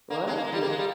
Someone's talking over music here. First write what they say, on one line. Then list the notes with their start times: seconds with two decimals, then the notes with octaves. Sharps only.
Well, you
0.10 A#3
0.27 G#3
0.36 A#3
0.44 G#3
0.52 G3
0.61 A#3
0.70 G#3
0.78 G3